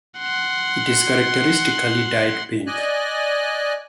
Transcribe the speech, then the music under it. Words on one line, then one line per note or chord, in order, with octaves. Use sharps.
It is characteristically dyed pink.
F#5 C6
D5 D#5 G#5 F#6